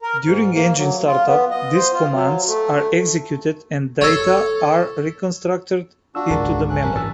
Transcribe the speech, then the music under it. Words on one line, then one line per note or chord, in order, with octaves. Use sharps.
During engine start-up, these commands are executed and data are reconstructed into the memory.
A#4
G#2
A#3
F#3
F4
B3
D#5
C5
F4
F#3
A3
A4 C#5
D4 F4 F#4 E6
G#1 C#2 G#4 A#4 A5
C#4 F#6
D1 F2 G3 A#4
G#1 E3 A5 E6